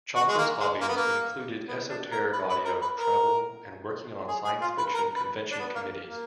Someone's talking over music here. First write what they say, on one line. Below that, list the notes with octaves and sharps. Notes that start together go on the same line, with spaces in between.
Chalker's hobbies included esoteric audio, travel, and working on science-fiction convention committees.
F#4
G#3
A#3
G#3
A#3
B3
A#3
B3
D4
A#4
B4
B4
A#4
B4
A#4
G#4
G#4
F4
B4
A#4
B4
D4
B3
A#3
A#3